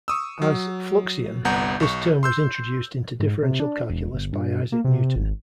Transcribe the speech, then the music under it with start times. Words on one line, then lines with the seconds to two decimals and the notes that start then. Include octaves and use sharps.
As "fluxion", this term was introduced into differential calculus by Isaac Newton.
0.08 C#6 D#6 E6
0.42 F#3
1.45 G1 C2 B3 F#5 A#5 G6
1.80 B1 C#6
2.23 C6 E6 G6
3.20 G#2
3.43 C3
3.60 D4
3.89 E1
4.14 G1
4.33 G2
4.72 A#3
4.84 C3
5.16 G#1